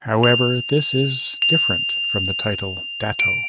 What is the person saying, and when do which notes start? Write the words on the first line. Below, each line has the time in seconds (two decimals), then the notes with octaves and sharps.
However, this is different from the title "Dato'".
0.23 F7
1.42 F7
3.20 D7